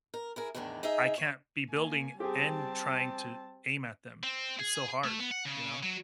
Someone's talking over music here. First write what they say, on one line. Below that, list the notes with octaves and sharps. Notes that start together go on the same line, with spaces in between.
I can't be building and trying to aim at them. It's so hard, you know?
A#4
E4 G#4 A#4
E2 A2 D3 D#3 D4
D#4 G#4 D#5 E5
C#5
A#3 G#5
G3 C4 G4 G#4 A5
C4
G#4
A3
B3
F#5
C#3
F#3